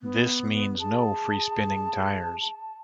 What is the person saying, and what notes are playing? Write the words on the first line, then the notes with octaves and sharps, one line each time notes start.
This means no free-spinning tires.
B3
G#4 A5